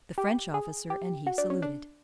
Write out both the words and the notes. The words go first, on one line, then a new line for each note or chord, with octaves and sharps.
The French officer and he saluted.
G4
G#4
G4
F#4
D4
C#4
D4